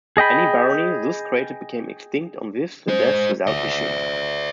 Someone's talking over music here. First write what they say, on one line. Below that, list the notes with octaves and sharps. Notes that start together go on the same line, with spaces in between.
Any barony thus created became extinct on his the death without issue.
G#4 D#5 G5 B5
G#3 C5
D5 E5